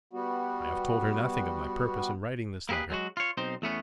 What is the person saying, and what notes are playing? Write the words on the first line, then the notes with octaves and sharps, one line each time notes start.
I have told her nothing of my purpose in writing this letter.
G3 B3 F#4
A#3 E4 G4 G#4 B4
F#3 G#3 F#4
F4 C#5
B1 C4 D#4 C5
E2 A3 B3 C#4